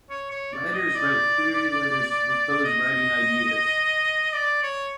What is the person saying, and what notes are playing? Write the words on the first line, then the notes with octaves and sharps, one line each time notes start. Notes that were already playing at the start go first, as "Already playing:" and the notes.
Writers write query letters to propose writing ideas.
C#5
C#5
D5
D#5
D5
D#5
D5
C#5